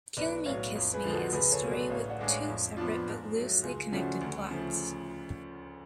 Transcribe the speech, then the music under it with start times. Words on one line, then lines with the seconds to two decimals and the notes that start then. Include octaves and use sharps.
"Kill Me, Kiss Me" is a story with two separate but loosely connected plots.
0.17 B1 B4 D5
0.46 A2 F#3 C#5 F5
0.75 F2
0.94 G#4 B4
1.04 D3 F3 G#3
1.13 F#4 A4
1.32 C#2 G#4 B4
1.52 A4 C#5
1.62 B2 F#3 A3
1.71 B4 D5
1.90 A1 C#5 F5
2.10 D5 F#5
2.19 A2 G#3 D4
2.29 C#5 F5
2.49 F2
2.77 F3 B3 D4 F4
3.06 G#2
3.35 F#3 A3
3.63 C#2 F4 G#4
3.92 C#3 F3 A3 C#4 D4 F#4
4.21 D2
4.50 C#3 F3 A3